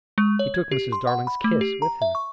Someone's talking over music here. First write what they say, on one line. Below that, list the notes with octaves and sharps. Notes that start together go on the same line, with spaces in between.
He took Mrs. Darling's kiss with him.
G#3
C#5
G#6
G4
C6
F#5
B5
A3
G4
A#5
E5
C#6